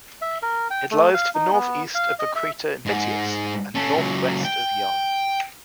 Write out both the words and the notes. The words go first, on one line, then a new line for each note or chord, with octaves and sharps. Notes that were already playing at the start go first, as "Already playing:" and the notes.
It lies to the northeast of the crater Metius, and northwest of Young.
E5
A#4
G5
A3
F5
D#4
B3
F5
D#5
E5
G#2
C#4 A4
C#2 F#3
G5